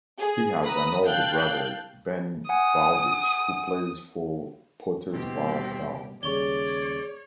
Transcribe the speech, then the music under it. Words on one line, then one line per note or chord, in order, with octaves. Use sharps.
He has an older brother, Ben Bowditch, who plays for Potters Bar Town.
G#4
B4 A#5 B5 D#6
F5 G5 A5 F#6 G6
F#5 G#5 D#6
D#1 G2 B2 E3 C4 G4
D#2 C#3 G3 G#4 C#5 D5 C#6 G7